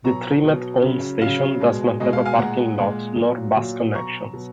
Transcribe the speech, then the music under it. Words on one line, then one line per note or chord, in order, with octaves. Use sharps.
The TriMet owned station does not have a parking lot nor bus connections.
B2 F#3 A#5 C#6
B2 F#3
C#3 F#3
C#3 F#3 F5
B2 G#3
B2 G#3 D#5
F5
F5 G#5
A#2 G#3 F#5 A#5
A#2 G#3
A#2 F#3
A#2 F#3
B2 F#3 A#5 C#6
B2 F#3